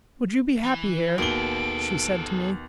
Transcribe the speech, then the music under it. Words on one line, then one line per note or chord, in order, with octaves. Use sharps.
"Would you be happy here?" she said to me.
E3
D#2 B2 G#4 A4 D7 G7